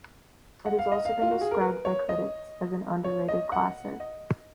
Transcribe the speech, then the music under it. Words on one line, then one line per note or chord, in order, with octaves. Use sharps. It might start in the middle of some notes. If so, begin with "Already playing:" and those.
It has also been described by critics as an "underrated classic".
F#5
F5
D#5
F5
F4
F#4
G#4
A#4
B4
C#5
D#5
C#5
D#5
F#5
D#5